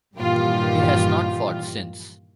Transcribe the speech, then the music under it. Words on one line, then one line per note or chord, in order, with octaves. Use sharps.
He has not fought since.
G2 A#2 D#3 E3 F4 G4